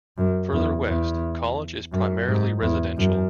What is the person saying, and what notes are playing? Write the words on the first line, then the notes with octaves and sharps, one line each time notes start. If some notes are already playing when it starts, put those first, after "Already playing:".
Further west, College is primarily residential.
F#2
E2
E2
F#2
G#2
E2
F#2